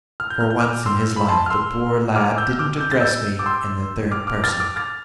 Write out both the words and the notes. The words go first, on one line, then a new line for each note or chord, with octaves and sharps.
For once in his life, the poor lad didn't address me "in the third person."
F6
G6
F6
G6
D6 F6
C6 E6
B5
A5 C6
F6
C6 E6
D6 F6
E6 G6
D6 F6
G6
A6
E6 G6
D6
C6 E6
D6 F6
D6 F6
F6 A6
D6 F6
F6 A6